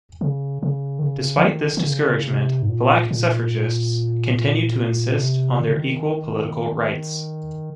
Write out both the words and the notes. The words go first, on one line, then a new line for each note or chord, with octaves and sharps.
Despite this discouragement, black suffragists continued to insist on their equal political rights.
C#3
C#3
D#3
C#3
F3
D#3
D#3
C#3
C3
G#2
A#2
A#2
C3
D#3
C#3
D#3